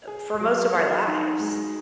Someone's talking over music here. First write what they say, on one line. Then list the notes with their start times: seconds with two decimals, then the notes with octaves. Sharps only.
uh, for most of our lives.
0.07 G#4
0.40 F#3
0.74 F#4
1.06 D#4
1.39 G#3